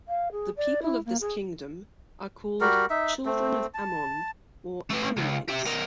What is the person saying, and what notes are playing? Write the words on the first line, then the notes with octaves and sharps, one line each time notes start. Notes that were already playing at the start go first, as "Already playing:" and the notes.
The people of this kingdom are called "Children of Ammon" or "Ammonites".
F5
G#4
D5
E4
A#3
G#4
G3 F#4 A#4
D#4 E5
A3 C4
A5
A3 B4
C#2
G4 E5
B2 A#4